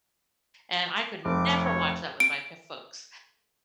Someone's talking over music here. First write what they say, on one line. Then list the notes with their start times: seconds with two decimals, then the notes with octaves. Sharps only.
and I could never watch that with my p folks.
1.25 F1 D6
1.62 C#5
2.20 D7